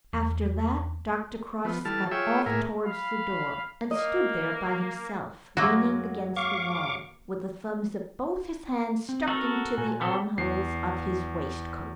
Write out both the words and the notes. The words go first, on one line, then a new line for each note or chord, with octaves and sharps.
After that Dr. Crofts got off towards the door, and stood there by himself, leaning against the wall, with the thumbs of both his hands stuck into the armholes of his waistcoat.
E2
F3 B3
E3 G3 A4 A5 F6
F4 G#4 C#5 E5 G5 E6
A2 A#3 G#4 A#4 E5
F5 B5
A#3 D#5
F#2 F#3 G#3 A#3 F#4
F5 C#6 D6
C4
F#4 A4 A#4
A#2 G#5
B3 C4 A4
E2 C7